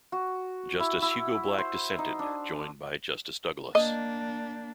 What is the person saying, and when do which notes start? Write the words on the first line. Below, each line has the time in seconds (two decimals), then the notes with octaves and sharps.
Justice Hugo Black dissented, joined by Justice Douglas.
0.12 F#4
0.80 E4
1.02 E4
1.58 C5
1.99 D#4
2.19 D4
3.75 A#3 D4 D#5